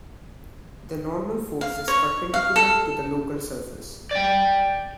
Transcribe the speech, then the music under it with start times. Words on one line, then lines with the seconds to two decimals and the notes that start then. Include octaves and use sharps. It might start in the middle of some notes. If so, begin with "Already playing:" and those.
The normal force is perpendicular to the local surface.
1.61 F5
1.88 C#5
2.34 F5
2.56 A4
4.11 D5 G5